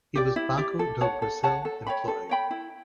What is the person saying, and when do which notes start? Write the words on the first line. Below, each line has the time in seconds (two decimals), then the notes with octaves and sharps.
He was Banco do Brasil employee.
0.15 G4 D5
0.36 E4
0.58 G4 D5
0.79 A4
1.01 C#5 F#5 A5
1.22 A4
1.43 C#5 F#5 A5
1.65 A4
1.87 C#5 G5 B5
2.08 A4
2.29 C#5 G5 B5
2.51 E4